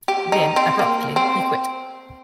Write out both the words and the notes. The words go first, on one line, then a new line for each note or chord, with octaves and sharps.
Then, abruptly, he quit.
G4
D#4
C4
A#3
C4